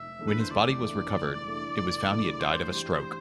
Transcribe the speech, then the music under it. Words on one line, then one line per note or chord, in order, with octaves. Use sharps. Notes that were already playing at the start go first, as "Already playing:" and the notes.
When his body was recovered, it was found he had died of a stroke.
Already playing: F1 E5
E2 D3 A3 E4
B4
C5
F1 D5
E2 D3 A3 E4
F1
E2 D3 A3 E4
F1
E2 D3 A3 E4
G2 C5
E3 G3 D4 G4